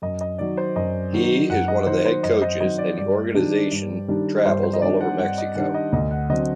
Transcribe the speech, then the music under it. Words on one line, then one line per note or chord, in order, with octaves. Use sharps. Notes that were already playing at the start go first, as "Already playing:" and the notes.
He is one of the head coaches, and the organization travels all over Mexico.
F#2 D#5
D#5
D#3 F#3 D5
C5
F#2 D#5
D#3 F#3
F#2 F#5
D#5
D#3 F#3 C5
C5
F#2 D#5
D#5
D#3 F#3 D#5
D5
G2 D5
D#3 G3 D4
G2
D#3 G3 D4
G2 C5
C5
D#5
D#3 G3 D4 D5
F#5
G2 F#5
D#5
D#3 G3 D4 F#5
D#5
D2 D#5
F#5
D3 F#3 C4 D#5